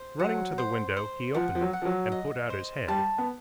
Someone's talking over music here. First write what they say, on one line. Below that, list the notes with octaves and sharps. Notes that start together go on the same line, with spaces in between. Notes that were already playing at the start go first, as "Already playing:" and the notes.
Running to the window, he opened it, and put out his head.
Already playing: C5
F#3 F#5
C5
C5
F3 F#5
F3
F#3
F#5
F3
F#3
D#5
C5
G3 A5
B3